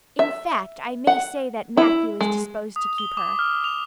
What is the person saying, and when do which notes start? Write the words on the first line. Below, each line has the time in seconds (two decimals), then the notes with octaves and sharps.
In fact I may say that Matthew is disposed to keep her.
0.19 E5
1.07 F#5
1.77 E4
2.21 G#3
2.76 D#6
2.98 G7
3.17 D6
3.39 F6
3.64 F7